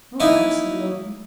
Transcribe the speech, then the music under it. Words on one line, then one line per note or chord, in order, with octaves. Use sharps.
"All right," said Logan.
A#3 D#4 E4 G#5